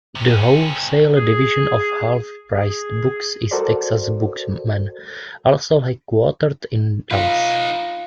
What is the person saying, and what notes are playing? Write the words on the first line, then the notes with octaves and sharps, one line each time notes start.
The wholesale division of Half Price Books is Texas Bookman, also headquartered in Dallas.
C3 C#4
G#4
G#4
F#4 A4 A#4 C5 D5
D#4 F4 B4